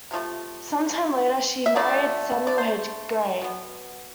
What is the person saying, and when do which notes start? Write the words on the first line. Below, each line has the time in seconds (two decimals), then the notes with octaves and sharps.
Sometime later, she married Samuel H. Gray.
0.11 C3 F3 A3
1.66 E5
1.76 D3 F3 A3 D5
2.47 D5
2.58 C5
3.41 B2 B3